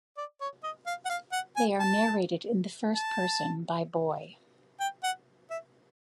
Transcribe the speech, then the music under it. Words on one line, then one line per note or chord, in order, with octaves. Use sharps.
They are narrated in the first person by Boy.
D5
C#5
D#5
F5
F#5
F5
F#5
G#5
A5
A5
G5
F#5
E5